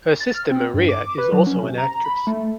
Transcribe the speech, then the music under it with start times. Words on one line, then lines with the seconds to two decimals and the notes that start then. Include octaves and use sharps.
Her sister Maria is also an actress.
0.20 A6
0.34 F6
0.51 C4
0.74 G2
0.89 D6
1.18 B4
1.32 F#3
1.47 C#4
1.63 C3
1.78 A#5
2.04 B5
2.27 A3